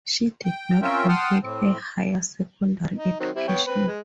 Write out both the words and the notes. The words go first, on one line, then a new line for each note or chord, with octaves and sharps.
She did not complete her higher secondary education.
G5
C4 C#4 F4 A#4 E5 G5
F#5 G5 A5 C6 D#6 F6
A2 C4
D#4
D#3 F#3 C4
G3 C4 E4
B3 C#5 G5
C4 B4
G#3